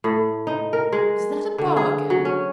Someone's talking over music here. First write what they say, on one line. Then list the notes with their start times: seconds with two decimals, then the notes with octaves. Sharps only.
Is that a bargain?'
0.04 A2
0.47 D#4
0.73 A#4
0.92 G#3
1.58 D3
1.77 G#4
2.10 F#3
2.25 C#4